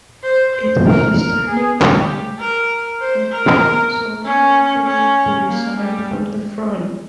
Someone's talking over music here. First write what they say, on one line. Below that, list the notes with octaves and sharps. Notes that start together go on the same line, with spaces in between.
It was this turning point that prompted Suleiman Frangieh to resign from the Front.
C5
C5
A#4
A#4
G#4
G4
A#4
C5
A#4
C#4
C#4
A#3
G3